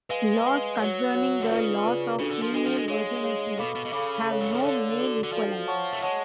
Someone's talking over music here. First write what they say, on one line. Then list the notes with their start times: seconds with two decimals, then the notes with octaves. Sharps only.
Laws concerning the loss of female virginity have no male equivalent.
0.09 G#3 B4 F5 G#5
0.44 B4 F5 G#5
0.79 F#3 F#4 C#5 F#5
1.14 F#4 C#5 F#5
1.42 D3
1.49 C#3 F4 B4 D5
1.83 F4 B4 D5
2.19 C#3 D4 F#4 A4
2.30 D3
2.42 F3
2.53 G#3 D4 F#4 A4
2.65 F3
2.76 G#3
2.88 G#3 G#4 C#5 F5
3.23 G#4 C#5 F5
3.58 B2 A4 F5 B5 D6
3.75 B2
3.85 B2
3.93 C#3 A4 F5 B5 D6
4.28 A4 C#5 F5
4.40 F#3
4.52 F3
4.62 D3 A4 C#5 F5
4.97 F#4 A4 D5
5.23 D3
5.33 F3 F#4 A4 D5
5.68 C#5 F#5 A5 C#6
5.93 A3
6.02 G#3 C#5 F#5 A5 C#6